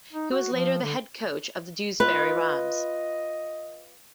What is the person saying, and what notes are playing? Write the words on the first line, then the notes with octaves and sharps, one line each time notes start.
He was later the head coach of the Dewsbury Rams.
D#4
F#4
F3
D3
F4 B4 D#5